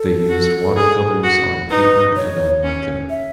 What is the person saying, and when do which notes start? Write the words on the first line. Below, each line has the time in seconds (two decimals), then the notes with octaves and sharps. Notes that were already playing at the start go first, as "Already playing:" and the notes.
They used watercolours on paper and on mica.
Already playing: A4
0.29 F#4
0.76 G#4
1.23 F#4
1.70 D#4 B4
2.16 C#5
2.63 C#4
3.10 E5